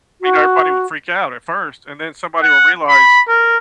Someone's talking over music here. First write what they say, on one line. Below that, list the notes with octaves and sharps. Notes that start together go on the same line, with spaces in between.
We know everybody will freak out at first, and then somebody will realize,
F#4
F#5
B5
A#4